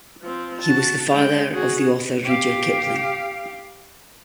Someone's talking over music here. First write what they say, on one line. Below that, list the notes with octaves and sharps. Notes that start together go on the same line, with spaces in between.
He was the father of the author Rudyard Kipling.
F3 C4
F#4 A5
G#3 G5
F#4 G#4
G4 F5